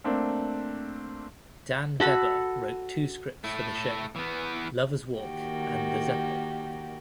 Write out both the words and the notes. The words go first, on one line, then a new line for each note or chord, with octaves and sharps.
Dan Vebber wrote two scripts for the show: "Lovers Walk" and "The Zeppo".
A3 A#3 C4 D4
F#4 A4 B5
A3 E4
E3 B3
D#3 A#3 F#4 G4